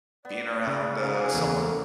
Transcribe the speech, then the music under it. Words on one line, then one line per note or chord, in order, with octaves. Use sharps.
being around, uh, someone
B3 D5
C#3 D5
A#3 F#4 G#4
E2 C#3 A4